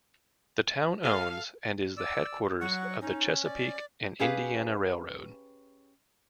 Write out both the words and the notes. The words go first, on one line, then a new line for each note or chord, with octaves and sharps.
The town owns and is the headquarters of the Chesapeake and Indiana Railroad.
A4 F5
D5 E6
F#3 F#5 C#6
C#4 D#4
D5
C#4 G4 G#4 B4 F5